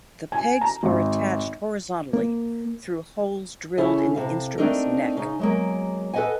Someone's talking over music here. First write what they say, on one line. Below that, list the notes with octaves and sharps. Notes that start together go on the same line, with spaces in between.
The pegs are attached horizontally through holes drilled in the instrument's neck.
G#5
A#5
G#1
A#3
C#3 C#4 E4 A4
C3 A4 F5
A3 C4 D4 D#4 A4 A#4
C#3 D#4
F#3 G#3 A#3
A4 B4 C5 D#5 F#5 G#5